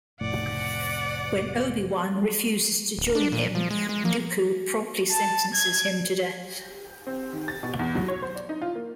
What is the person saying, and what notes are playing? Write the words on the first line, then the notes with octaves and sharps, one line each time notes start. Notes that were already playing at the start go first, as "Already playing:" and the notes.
When Obi-Wan refuses to join him, Dooku promptly sentences him to death.
F1 A2 D5 F#5
D1
D4
A#2
F3
G#3
G#3
A#3
A5
G#6
C4
D#3
A6
B2
E2
F#3
C#5
C5
D5
D#4
F4
A#3